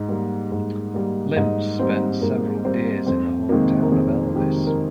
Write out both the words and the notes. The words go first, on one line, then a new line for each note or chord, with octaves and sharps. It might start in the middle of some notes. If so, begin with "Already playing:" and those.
Limbs spend several days in the hometown of Elvis.
Already playing: G#2 D#4
G3 A#3
G#2
G3 A#3
G#2 D#4 D#5
G3 A#3 C4 C5
G#2 A#3 A#4
G3 A#3 C4 C5
F2 C4 C5
C3 D#3 G#3 A#3 A#4
A#4
F2 G#4
C3 D#3 G#3 G4
A#4